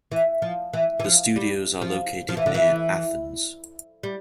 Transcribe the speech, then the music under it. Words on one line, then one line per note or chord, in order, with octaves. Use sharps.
The studios are located near Athens.
E3
F3
E3
E3
F3
G3
F3
F3
E3
D3
E3
G3